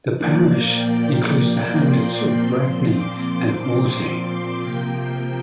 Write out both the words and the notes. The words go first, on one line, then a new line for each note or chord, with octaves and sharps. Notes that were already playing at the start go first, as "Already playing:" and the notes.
The parish includes the hamlets of Bradney and Horsey.
A#2 F3 A#3 D5
G5
C6
A#2 F3 C4
D6
C6
C3 F3 A#3 G5